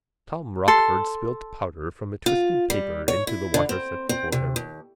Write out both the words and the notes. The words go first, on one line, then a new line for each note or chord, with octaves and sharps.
Tom Rochford spilt powder from a twisted paper into the water set before him.
A4 C6
F4
G3
C#5
E4
D3
C4
C4
C3
D#2